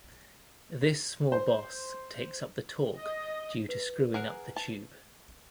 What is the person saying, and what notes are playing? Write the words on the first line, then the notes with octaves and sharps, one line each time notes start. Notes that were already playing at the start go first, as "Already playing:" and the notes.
This small boss takes up the torque due to screwing up the tube.
C5
D#5
B4
G#4 A#4 F#5
A5